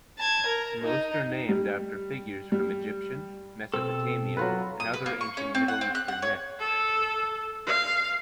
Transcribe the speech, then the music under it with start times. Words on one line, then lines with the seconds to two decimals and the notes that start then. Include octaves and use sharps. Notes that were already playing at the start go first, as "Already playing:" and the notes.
Most are named after figures from Egyptian, Mesopotamian, and other ancient Middle Eastern myths.
0.18 A5 G#6
0.47 A#4
0.84 D#4
1.49 G3
2.52 G3
3.74 B2 C4 A4 E6
4.37 F#3 F4 B4
4.80 D#6
4.94 B4
5.06 A#3
5.21 C#6
5.37 C#4
5.55 C4
5.68 F#5
5.81 C4
5.95 F#6
6.08 F#5
6.22 C#5
6.60 A4
7.67 F5